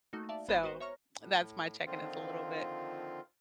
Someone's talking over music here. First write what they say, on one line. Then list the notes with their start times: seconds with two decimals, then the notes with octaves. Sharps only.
So, that's my check-in is a little bit,
0.13 A3 A#3 D#4 F#4
0.29 D5 E5 F5 A5
0.48 G#1 B3 C5 B5
0.63 F#4 B4 C5
0.80 C#5 E5 A#5 C#6 F6 A#6
1.20 A2
1.86 D3 D#3 F3 C4 F4